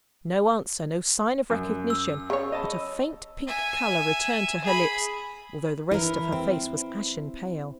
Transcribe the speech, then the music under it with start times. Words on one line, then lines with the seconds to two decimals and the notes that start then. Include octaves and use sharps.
No answer; no sign of recognition; but a faint pink colour returned to her lips, although the rest of her face was ashen pale.
1.50 F#2
1.90 E6
2.30 C#3 C#5
2.52 D#5 A5 B5
3.47 E5 G#5
4.64 G#4 B5
5.91 E3 E4 A#4
6.32 C4